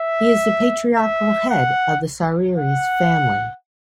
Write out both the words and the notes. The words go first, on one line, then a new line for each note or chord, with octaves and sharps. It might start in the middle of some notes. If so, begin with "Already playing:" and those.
He is the patriarchal head of the Sawiris Family.
Already playing: E5
E5
F#5
F#5